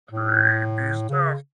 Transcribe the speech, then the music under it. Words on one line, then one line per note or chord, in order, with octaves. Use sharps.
Creepy stuff.
A2
C#3